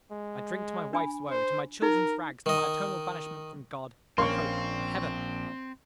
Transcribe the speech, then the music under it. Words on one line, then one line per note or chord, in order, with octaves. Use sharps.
I drink to my wife's woe; to my children's rags; to my eternal banishment from God, and hope, and heaven!
G#3
D4 G#5 B5
C5
D#4 A#4
D#3 D#5
A#1 A#3 C4 C#4 F5 C6 C#6